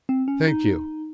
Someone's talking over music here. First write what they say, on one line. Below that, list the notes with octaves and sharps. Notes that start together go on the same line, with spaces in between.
Thank you.
C4
C#4
D#4